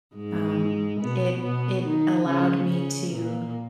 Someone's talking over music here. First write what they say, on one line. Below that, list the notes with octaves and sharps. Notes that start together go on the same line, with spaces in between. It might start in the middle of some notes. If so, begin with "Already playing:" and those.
Um, it it allowed me to
G#2 G#3
B2 B3
B2 B3
D#3 D#4
C#3 C#4
C#3 C#4
A#2 A#3